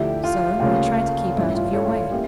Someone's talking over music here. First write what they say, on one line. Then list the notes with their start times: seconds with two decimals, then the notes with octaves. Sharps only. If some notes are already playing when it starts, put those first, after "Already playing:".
So I tried to keep out of your way.
Already playing: D2 D3 F3 E4 G4
0.24 F4
0.60 D2 C#3 G3 A#3 C#4 F4
1.36 A1 G2 F3 C#4 E4
1.55 F4
1.73 A4 C#5
1.86 F4
2.11 A#3 C#4 E4 G4